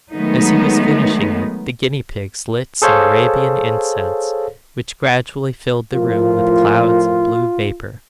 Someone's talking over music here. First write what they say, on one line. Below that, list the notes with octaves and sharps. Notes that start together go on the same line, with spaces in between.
As he was finishing it the guinea pigs lit some Arabian incense, which gradually filled the room with clouds of blue vapour.
D#3 F#3 G#3 A3 B3 D#4
G#4 A4 C5 C#5 F5
A2 F3 F4 A#4